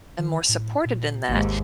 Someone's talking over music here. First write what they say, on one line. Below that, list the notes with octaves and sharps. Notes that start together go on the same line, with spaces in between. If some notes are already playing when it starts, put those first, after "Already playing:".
and more supported in that.
D#3
A2
A#2
G#1 D#2 G#2